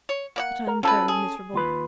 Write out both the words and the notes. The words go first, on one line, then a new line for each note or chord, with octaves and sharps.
But I am very miserable!
C#5
A#3 D5 F#5
A#4
F3 G3 C#4 A4 B4 A5
G#4
D#2 F4 B4